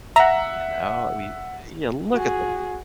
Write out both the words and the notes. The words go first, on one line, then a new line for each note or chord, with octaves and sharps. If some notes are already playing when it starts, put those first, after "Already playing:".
You know? We, eh, yeah, look at the
E5 F#5 A#5
F#4 G#4